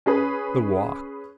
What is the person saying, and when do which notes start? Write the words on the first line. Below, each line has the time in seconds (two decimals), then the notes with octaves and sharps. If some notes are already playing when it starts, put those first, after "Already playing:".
The walk.
0.06 C#4 G#4 B4